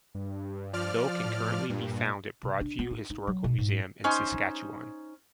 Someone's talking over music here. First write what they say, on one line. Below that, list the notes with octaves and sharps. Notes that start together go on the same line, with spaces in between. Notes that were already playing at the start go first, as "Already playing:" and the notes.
Bill can currently be found at Broadview Historical Museum in Saskatchewan.
G2
F3 D5 F6
A2
G2 A#2
C3
D4
B3
D#4
D#4
F#3
B2
G#2
C#4 D#4 C5